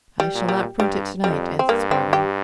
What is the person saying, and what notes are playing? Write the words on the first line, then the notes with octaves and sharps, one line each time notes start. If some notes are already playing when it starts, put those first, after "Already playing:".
"I shall not print it tonight," answered Spargo.
G3
A#2
G3
G2 G3
F2 G3
C4
G2 A#3
C4
G4